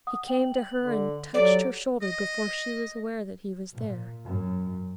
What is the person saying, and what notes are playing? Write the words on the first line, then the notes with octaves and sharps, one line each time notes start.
He came to her and touched her shoulder before she was aware that he was there.
F#5 D#6
G5 F#7
F#7
D3
F#3 G4 A4 D5
D#5
A#2
F#2